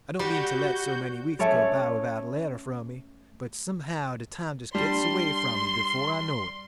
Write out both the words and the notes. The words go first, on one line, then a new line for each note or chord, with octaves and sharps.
I don't mean to let so many weeks go by without a letter from me, but somehow the time just gets away from me before I know it.
G3 F#4 G6
A3 C#4 C#5 D5
G3 D4 C6